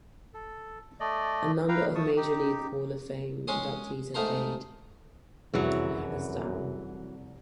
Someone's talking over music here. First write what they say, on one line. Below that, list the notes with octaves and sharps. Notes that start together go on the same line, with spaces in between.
A number of major league Hall of Fame inductees have played in Hagerstown.
A4
A3 D5 D#5
B4 F5 G5 A#5
A3 A5 C#6 D#6
D#4 G4
G#3 C#4 C#5 C6 D#6
G#2 A3 D#4 A#4 A#5 C6
F1 C2 F#2 E3 F#3 G#4